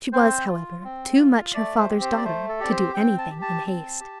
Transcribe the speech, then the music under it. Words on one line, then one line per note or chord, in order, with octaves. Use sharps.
She was, however, too much her father's daughter to do anything in haste.
C4 C5
F4
C4
F4
A3 D5
C5
C4 G4
C5
D5
A3 C5
A4
C4 G4 D5
C5
C4 G5
A5
G4
A5
C4
G4